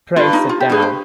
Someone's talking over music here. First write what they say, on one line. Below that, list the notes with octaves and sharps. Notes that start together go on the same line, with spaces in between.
Pray sit down.
G2 F4
D#4
F4
G4
G2 G#4
C5